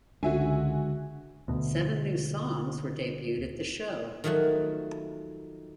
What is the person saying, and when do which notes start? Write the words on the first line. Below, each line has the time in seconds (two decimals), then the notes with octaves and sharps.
Seven new songs were debuted at the show.
0.23 C#2 D3 F#4 E5 G#5
1.48 D2 B2
4.24 D#3 F3 F#3 A3 F#4